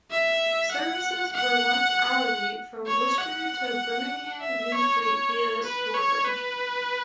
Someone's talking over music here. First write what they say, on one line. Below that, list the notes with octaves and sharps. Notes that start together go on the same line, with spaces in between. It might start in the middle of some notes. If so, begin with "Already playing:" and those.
Services were once hourly from Worcester to Birmingham New Street via Stourbridge.
E5
F#5
F#5
C#5
F#5
E5
C#5
C#5
B4
C#5
B4